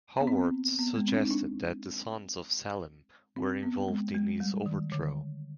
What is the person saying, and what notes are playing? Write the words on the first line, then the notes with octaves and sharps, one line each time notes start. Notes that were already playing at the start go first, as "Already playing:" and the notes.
Howorth suggested that the sons of Selim were involved in his overthrow.
B3
C4
B3
G#3
C4
D4
D#4
D4
C4
B3
G#3
G#3
G3
D#3
D3